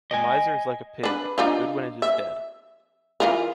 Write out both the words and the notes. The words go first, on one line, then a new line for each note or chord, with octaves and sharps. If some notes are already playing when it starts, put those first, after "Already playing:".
The miser is like a pig, good when it is dead.
D#5 G5 G#5
D4 B4
D4 D#4 F4
E5
E3 F4 A#4